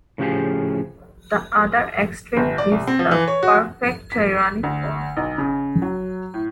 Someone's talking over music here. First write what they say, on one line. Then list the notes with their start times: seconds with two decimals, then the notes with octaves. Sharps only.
The other extreme is the "perfect tyranny" form.
0.18 A2 C#3 F3 F4 G4 G#4
2.37 G1
2.58 D5
2.72 C2
2.87 C4
2.99 F3
3.11 E3
3.28 C#5
3.43 F#4
4.12 B6
4.63 D2
5.17 B1
5.38 C#3
5.82 F#3
6.34 A2